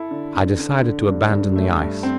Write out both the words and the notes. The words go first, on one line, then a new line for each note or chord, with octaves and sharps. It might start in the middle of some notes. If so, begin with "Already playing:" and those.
I decided to abandon the ice.
Already playing: E4 A4
D3
D3
D3
D3
G2
G2
A3
G2
C4